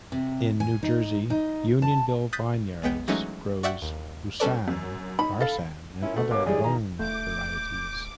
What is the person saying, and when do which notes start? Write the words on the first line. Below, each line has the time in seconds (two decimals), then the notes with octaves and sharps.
In New Jersey, Unionville Vineyards grows Roussanne, Marsanne, and other Rhone varieties.
0.12 C3
0.60 G#5
0.83 D#4
1.30 D#4
1.82 A5
2.33 D#6 F#6 G6 A6 B6
2.82 B1 G#3 B3 G5
3.08 E3 F#3 G#3 A3 C#4 D#4
3.63 F#4 D5 E5 F#5 G5
3.82 D#2
4.40 G3 C#4 D4 A4 B4 D5
4.68 F#2
5.19 D#4 B5
5.40 A4 F5 B5
6.02 C#4 E4 F4 A#4
6.16 D2 A3 F#4 F#5
6.31 B2 A#3 C#5 G#5 D6
6.46 A1 G2 G3 G#3 G#4 D5
6.63 D#3 A#5
6.99 D#1 A3 D6 G6